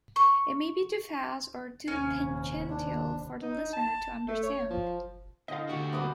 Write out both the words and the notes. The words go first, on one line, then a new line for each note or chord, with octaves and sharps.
It may be too fast, or too tangential for the listener to understand.
C#6
D#2 C3 C#4 G#5
D#1
D#3 D4
D#4
A5
A3
C#5
F3
D3 E4 D#5 F5 G5
D2 D3 D4 F#4 G4
B2 G3 A#3 B3 D6 D#6